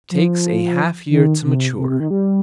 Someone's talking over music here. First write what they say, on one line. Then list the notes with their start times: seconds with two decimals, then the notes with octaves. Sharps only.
Takes a half year to mature.
0.11 F3
1.10 D#3
1.44 C3
1.78 C3
1.89 C3
2.00 D#3
2.11 G3